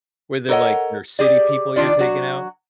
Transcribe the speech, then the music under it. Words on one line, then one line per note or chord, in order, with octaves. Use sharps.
Were they, like, your city people you're taking out?
A4 A#4 C#5 D#5 F#5
G4 G#4 D5
D#3 D4 F4 D5
F#3 F#4